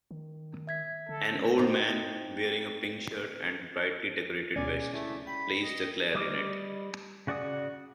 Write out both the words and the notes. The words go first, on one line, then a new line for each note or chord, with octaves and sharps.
An old man, wearing a pink shirt and a brightly decorated vest, plays the clarinet.
D#3
E5 G#6 B6
D3 A4
C4 D#4
D2 B2 G#3 C#4 D5 G#5
A3 E4
G5 B5
D#5
G3 D#5 D6 D#6 F6
C#3 F#4 D5 F#5 D#6